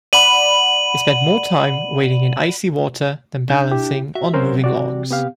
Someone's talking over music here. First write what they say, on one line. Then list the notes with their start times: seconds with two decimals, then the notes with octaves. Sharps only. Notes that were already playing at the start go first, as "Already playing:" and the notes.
They spent more time wading in icy water than balancing on moving logs.
0.13 D5 F#5 B5 D#7 F#7
3.50 D4 G6
3.70 E4 G4
4.15 F#4 E5
4.34 F#3 C4 C#4 A#4 C5
4.64 C3 F#4 D5
5.11 B3 G4 F5